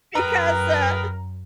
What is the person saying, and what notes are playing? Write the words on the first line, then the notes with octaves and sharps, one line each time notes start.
Because, uh,
F#2 G4 G#4 A#4 B4 A#5